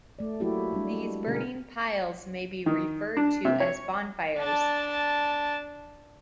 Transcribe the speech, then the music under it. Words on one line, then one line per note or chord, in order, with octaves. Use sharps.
These burning piles may be referred to as bonfires.
A3 D5
F#3 A3 A#3 E4 F#4 G4
G3 G#3 D4
B2 D3 A#3 C#4 G#4 A#4
D#3
D4
C3
C#5
D4 A5